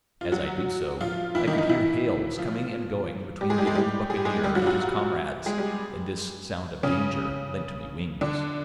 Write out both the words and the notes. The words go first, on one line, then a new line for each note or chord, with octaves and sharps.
As I did so, I could hear hails coming and going between the old buccaneer and his comrades, and this sound of danger lent me wings.
F4
F#3 F#4
F3 F4
E3 E4
D#3 D#4
D#3 D#4
E3 E4
F3 F4
G3 G4
G#3 G#4
G3 G4
G#3 G#4
G3 G4
G#4
G4
G#3 G#4
G3 G4
F#3 F#4
F4
F#3 F#4
G#3 G#4
G3 G4
C#3 C#4
D3 D4